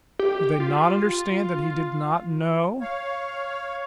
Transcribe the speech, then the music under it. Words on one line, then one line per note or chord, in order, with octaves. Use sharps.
Did they not understand that he did not know?
G4
F4
C#5 F5